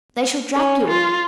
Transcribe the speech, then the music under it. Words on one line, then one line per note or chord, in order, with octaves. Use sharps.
"They shall drag you in."
C#4
F4